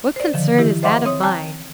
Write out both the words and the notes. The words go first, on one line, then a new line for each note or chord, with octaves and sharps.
"What concern is that of mine?"
C5 D5
D3 D#3 F3
D#3 E3 E4 G4
C5 D#5 E5 F#5 C6 D6
C4 C#5 D#6
G5 A5 A#5 F#6